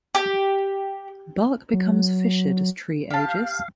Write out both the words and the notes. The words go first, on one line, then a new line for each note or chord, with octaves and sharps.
Bark becomes fissured as tree ages.
G4
F#3
G4 F5 A5